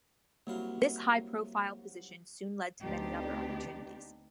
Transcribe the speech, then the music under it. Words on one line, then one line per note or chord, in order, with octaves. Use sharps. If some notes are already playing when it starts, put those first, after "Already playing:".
This high-profile position soon led to many other opportunities.
C2 F#3 A#3 F5
D2 B3 C4 D4 D#4 G4